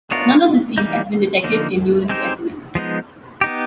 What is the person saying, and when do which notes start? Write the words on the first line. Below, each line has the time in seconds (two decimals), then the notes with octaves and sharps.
None of the three has been detected in urine specimens.
0.11 B3 D4 F4 A#4 C#5
0.78 E3 G3 A#3 D#4
1.44 D3 F3 A#3 D#4
2.09 G#3 C4 D#4 G4 C5
2.75 F3 G#3 B3 D#4
3.41 B3 D#4 G4